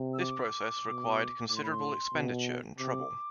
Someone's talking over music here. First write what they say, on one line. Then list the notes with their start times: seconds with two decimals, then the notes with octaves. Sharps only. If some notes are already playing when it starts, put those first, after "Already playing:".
This process required considerable expenditure and trouble.
Already playing: C3
0.14 E6
0.20 D6
0.84 B2
1.49 A2 D6
1.56 C6
1.63 B5
1.71 C6
2.14 B2
2.78 C3 D6